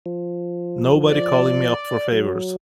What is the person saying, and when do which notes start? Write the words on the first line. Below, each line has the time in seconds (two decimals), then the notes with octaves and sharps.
Nobody calling me up for favors.
0.06 F3
1.09 D5
2.12 F#3